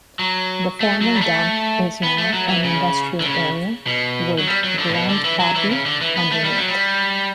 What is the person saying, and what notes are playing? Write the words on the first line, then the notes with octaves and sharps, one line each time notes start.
The former dump is now an industrial area, with "Grandpappy" underneath.
F#3
A3
F#3
G3
A3
B3
A3
F#3
E3
C#3
D3
C#3
B2
F#3
G3
F#3
D3
A2
B2
D3
E3
F#3
E3
C#3
D3
E3
B3
A3
G3
F#3
G3